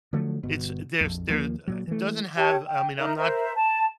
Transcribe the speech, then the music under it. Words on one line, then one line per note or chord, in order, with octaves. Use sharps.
It's there's there, uh it doesn't have I mean, I'm not
D3 F3 F#3 A3
G1 B2
A#1 F2
D#2 F3 A3 A#3
A#2 F#3
E3 A3
G4 C#5 G5 A5
G5
D#4 A#4 E5
A#4 C5 E5
A5